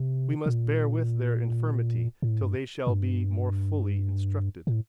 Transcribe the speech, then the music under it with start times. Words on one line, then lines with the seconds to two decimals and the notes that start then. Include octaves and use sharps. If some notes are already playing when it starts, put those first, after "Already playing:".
We must bear with their infirmity, till they shall be more fully instructed.
Already playing: C3
0.46 A#2
2.22 G2
2.26 A2
2.41 G2
2.87 G2
4.67 A2